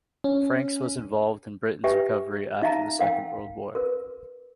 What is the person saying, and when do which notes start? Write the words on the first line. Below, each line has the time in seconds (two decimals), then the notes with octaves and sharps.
Franks was involved in Britain's recovery after the Second World War.
0.24 C#4
1.84 G4 B4 E5 G5 G#5
2.62 D#4 E5 F5 A5 A#5
2.99 A#4 F5 G5 G#5
3.75 A#4 B4